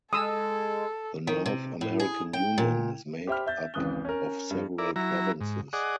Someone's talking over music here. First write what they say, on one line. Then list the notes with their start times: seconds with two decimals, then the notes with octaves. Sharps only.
The North American Union is made up of several provinces.
0.13 G#3 A4 D#6 E6
1.27 D#3
1.46 C3
1.81 A2
2.00 G#4
2.33 G5
2.58 A#2
3.27 G4 C5 E5 G5 B5 F6
3.46 E5 G6 A6
3.74 G#1 C#2 E3 D#6 F#6 G7
4.05 C#4 A#4
4.50 G2
4.78 E4 A#4 D5
4.96 F#3 E4 A#5
5.41 G#2
5.73 G#4 D5 D#5 F#5